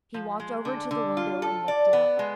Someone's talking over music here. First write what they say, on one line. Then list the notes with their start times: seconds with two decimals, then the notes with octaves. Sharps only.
He walked over to the window and looked out.
0.14 F3
0.40 G#3
0.65 D3
0.91 D3
1.17 F4
1.42 A4
1.68 D5
1.93 B3
2.19 G#3